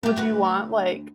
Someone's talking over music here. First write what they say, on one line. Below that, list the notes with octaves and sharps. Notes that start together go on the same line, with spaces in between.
Would you want, like,
A3 G4
D2 F#4 B4